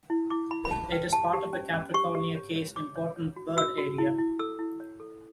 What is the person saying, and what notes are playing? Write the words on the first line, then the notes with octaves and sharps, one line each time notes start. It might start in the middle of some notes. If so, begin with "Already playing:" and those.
It is part of the Capricornia Cays Important Bird Area.
E4
E4 D6
E4 B5
B5
C#4 A5
B4 G5
G4 A5
G4
C#4
C#4
G4 C#6
G4
C#5
C#5
C#5 D6
C#5
C#5
F#4
F#4 E6
F#4
E4
E4
A4 E6
E4
C#5
A4